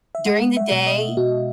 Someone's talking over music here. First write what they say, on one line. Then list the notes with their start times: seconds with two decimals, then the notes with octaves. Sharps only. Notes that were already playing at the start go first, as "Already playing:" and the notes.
during the day,
0.15 E5
0.26 G#3 F#5
0.57 E5
0.71 B2
0.87 D#5
1.17 B2 F#4